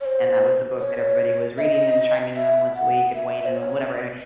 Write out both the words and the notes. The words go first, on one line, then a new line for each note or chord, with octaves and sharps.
and that was the book that everybody was reading and chiming in on once a week and weighing in on whatever, and,
C#5
C5
C#5
E5
D#5
E5
F#5
E5
C5
C#5